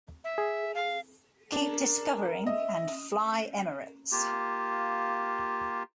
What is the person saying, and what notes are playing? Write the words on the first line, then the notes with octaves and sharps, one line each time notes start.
Keep Discovering" and "Fly Emirates.
E5
G#4
F5
D4 A#4
D#5 E5
A#3 F4 G4